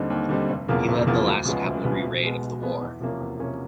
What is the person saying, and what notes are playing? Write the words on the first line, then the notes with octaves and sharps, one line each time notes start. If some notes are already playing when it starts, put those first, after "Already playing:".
He led the last cavalry raid of the war.
Already playing: D#2 D3 G3 C4 D#4
D#2
D3 G3 C4 D#4
F1
E2 C#3 F3 A#3
F1
E2 C#3 F3 A#3
D2
C#3 F3 G#3 B3
D2
C#3 F3 G#3 B3
B1
B2 G#3 B3
B1
B2 G#3 B3
E2
C3 F3 A#3 C#4
E2
C3 F3 A#3 C#4